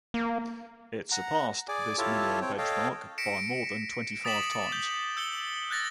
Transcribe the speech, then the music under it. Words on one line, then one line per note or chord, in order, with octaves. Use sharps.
It surpassed this minimum benchmark by more than twenty-five times.
A#3
F#5 A#5
G#4 D5 G#5 D6
E4 F4 G4 A4 C#5 A5
C4 C#5 G5
A4 C#5 D#5 F5 G5 A5
A#6 B6 C#7 D7 E7
D6 D#6 A6 B6 E7 F#7
G6 E7 G7
E6 G6 C#7 G7
F#6 G6 A6 A#6